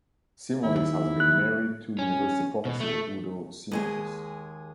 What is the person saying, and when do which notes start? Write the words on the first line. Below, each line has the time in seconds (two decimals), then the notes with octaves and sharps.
Simonis has been married to university professor Udo Simonis.
0.63 D#2 E4
1.20 F#6
1.99 C#4
2.65 B2
2.80 A3
3.71 D#2 G#3 G#4